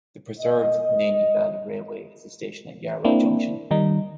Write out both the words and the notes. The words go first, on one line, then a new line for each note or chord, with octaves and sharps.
The preserved Nene Valley Railway has a station at Yarwell Junction.
D#5
A#3 C4 D4 E4
D#3 G3 D#4